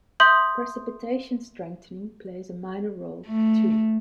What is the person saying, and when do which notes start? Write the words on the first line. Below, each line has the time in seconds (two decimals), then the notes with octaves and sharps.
Precipitation strengthening plays a minor role, too.
0.20 E5 C6 D#6 G6 F#7
3.26 A3